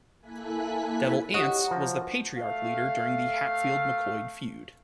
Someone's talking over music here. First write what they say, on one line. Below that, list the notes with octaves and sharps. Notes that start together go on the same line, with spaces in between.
Devil Anse was the patriarch leader during the Hatfield-McCoy feud.
A#3 E4 A4 G#5 F#6 B6
F#4 G4 C#5 D#5 F#5
F3 A#5
A3 F5